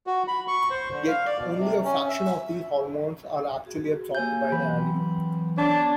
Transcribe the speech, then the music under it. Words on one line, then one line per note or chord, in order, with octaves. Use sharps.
Yet, only a fraction of these hormones are actually absorbed by the animal.
F#4
B5
C#6
C5
D3
F5
D5
B2
C3
C#4
E5
F#4 G#4
A#3 G4 C#5 G#5 G6
E3 F#3 C4 G5 B5
B3 D4 C#5 D5 A5